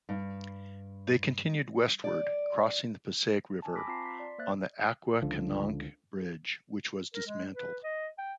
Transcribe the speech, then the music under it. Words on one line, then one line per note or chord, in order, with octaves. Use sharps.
They continued westward, crossing the Passaic River on the Acquakanonk Bridge, which was dismantled.
G2
D5
G#5 A5
B5 C#6 D6 A#6 B6
C4 F4 A5 A#5 C7
C6 B6
D5
A#3 C5 E5 F#6 A6
C#2 D3 F3
A#4
G#3
B4
D#5
G5